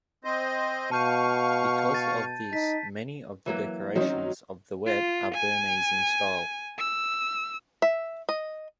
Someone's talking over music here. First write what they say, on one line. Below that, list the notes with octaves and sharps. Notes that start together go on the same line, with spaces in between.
Because of this many of the decorations of the wat are Burmese in style.
C4 C5 D#5
B2 F5 A5 C#6 G6 D#7
A6 D#7
D#4 B6
E3 F#3 A#3
D#3 F#3 C4 C#4 C5
F4
G#5
E6
E5
D#5